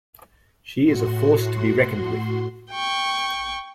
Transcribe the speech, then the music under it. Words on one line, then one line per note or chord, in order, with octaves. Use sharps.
She is a force to be reckoned with.
A2 F#4 C6
G5 C#6